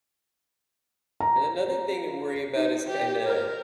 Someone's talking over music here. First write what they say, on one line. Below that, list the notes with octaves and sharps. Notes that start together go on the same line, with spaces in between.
And another thing to worry about is, kinda,
A#5
D#4
G4
A#4